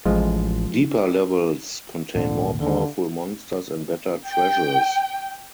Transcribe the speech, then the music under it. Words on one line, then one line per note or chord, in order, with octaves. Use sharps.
Deeper levels contain more powerful monsters and better treasures.
A1 F3 G#3 F4
G#1 D2 A#2 D3
D#2 D3
G5